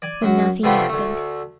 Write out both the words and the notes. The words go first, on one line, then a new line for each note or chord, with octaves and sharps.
But nothing happened.
D5 G#5
F#2 F#4
C3 A3 B3 D4 F4 G4
D2 A3